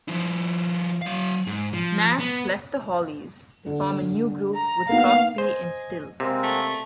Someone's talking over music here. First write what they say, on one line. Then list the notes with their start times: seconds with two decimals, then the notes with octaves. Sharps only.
Nash left the Hollies to form a new group with Crosby and Stills.
0.08 F3 E4
1.02 F#3 F5
1.47 G#2
1.73 F3
2.19 B3
3.66 D3
4.55 A#5
4.89 A#3 B3 D#4 F5
5.38 C5 D#5 G#5
6.20 C3 G#3 A#3 C4
6.43 A3